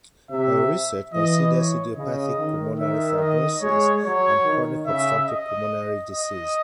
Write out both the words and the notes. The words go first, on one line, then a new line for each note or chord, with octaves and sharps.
Her research considers idiopathic pulmonary fibrosis and chronic obstructive pulmonary disease.
C3 E5
E3 D#5
C#5
C#3 D#5
D#3
D#3 E5
D#5
G#3 C#5
F#3 C#5
D#3
C#3 E5
D#5
D#5